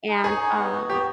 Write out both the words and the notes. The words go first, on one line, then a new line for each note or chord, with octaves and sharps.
and, um,
D#4
G#4 C#5
D#4
B3
F#4
B3 G4